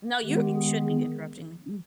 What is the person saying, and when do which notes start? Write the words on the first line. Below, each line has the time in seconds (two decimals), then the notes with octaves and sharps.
No, you're you should be interrupting me, mm.
0.24 D#3 G#3 B3 G4
0.55 G#4